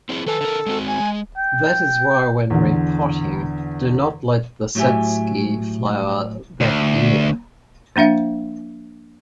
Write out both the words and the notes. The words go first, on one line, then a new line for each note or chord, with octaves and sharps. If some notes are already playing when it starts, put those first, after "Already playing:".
That is why when repotting, do not let the Satsuki flower that year.
C4 E4 G#4
D#3 A4 B4 G#5
D3 A#4
G#3 C4 F#4
G#5
G#3
G5
E2 D3
A2 F#3 A3 G4 E5 G#5
D2
F3 A#3 D4 E5 F5